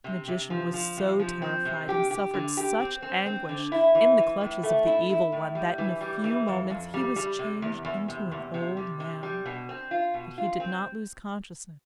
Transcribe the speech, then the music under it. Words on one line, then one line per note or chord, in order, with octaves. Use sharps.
The magician was so terrified and suffered such anguish in the clutches of the Evil One that in a few moments he was changed into an old man, but he did not lose consciousness.
C3
C3
F3
F3
C3
F3
C4
C3
G4
G4
D3
G4
C4
C4
C4
D3
E4
E3
E3
A2
A3
E4
E4
A2
G3
E3
G3
E3
F2
F2
G3
G3
C3
E2
E2
C3
E2
C3
G3
C3
G3
B2
C4
F4
B2
F4
C4